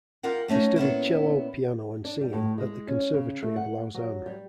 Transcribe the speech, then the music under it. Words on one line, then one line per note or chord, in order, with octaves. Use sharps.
He studied cello, piano and singing at the Conservatory of Lausanne.
F4 G4 A#4 F#5
F#3 A3 C#4 D#4
A#2 B3 C#4 E4
D4
G3
A2
G#3
C#4
C#3
A3
F#5
F#3
G3